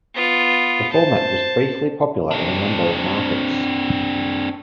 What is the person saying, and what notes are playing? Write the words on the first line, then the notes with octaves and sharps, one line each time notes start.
The format was briefly popular in a number of markets.
B3 F4
C5 A5
C4 D4